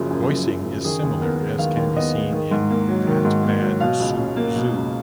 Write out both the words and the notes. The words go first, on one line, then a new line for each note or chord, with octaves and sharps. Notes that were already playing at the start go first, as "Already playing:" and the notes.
Voicing is similar, as can be seen in "pat - bad, sue - zoo".
Already playing: F#1 F#2 C#3 F3 F#4
F#2
F#1
F3
C#3
D#3 G#4
D#2
B3 A#4
G#3
D#3 F5
D#2
B3 D#5
G#3
D#3
G#2
A#3
F#3
D#3
G#2
A#3
F#3
B2 F5
C#2
C#4
A#3
B2
C#2